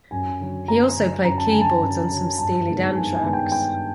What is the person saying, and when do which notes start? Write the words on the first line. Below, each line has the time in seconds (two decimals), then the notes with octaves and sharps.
He also played keyboards on some Steely Dan tracks.
0.11 F#2 G#5
0.40 D3 F#3
0.68 F#2 A#5
0.97 D3 F#3
1.24 F#2 A#5
1.38 A5
1.50 D3 F#3 G#5
1.62 A5
1.82 F#2
2.10 D3 F#3
2.38 G2 A5
2.67 D#3 G#3 B3 D4
2.95 G2 G#5
3.14 G#5
3.24 D#3 G#3 B3 D4
3.33 G5
3.52 G2 G5